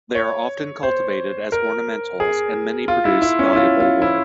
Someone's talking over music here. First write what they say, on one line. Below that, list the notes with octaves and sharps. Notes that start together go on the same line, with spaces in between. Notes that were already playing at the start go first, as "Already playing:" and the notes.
They are often cultivated as ornamentals and many produce valuable wood.
C#5
C5
A#4
G#4
F4
E4
E4
C#4
E4
F4
F4
E4